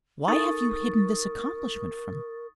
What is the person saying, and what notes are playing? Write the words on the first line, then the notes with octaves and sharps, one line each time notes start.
Why have you hidden this accomplishment from me?
D#4 A4 A#4 C#6 D#6 A6